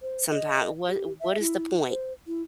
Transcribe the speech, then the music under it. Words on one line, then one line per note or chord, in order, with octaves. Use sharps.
sometimes. What what is the point?
C5
D#5
G4
E5
E4
C5
E4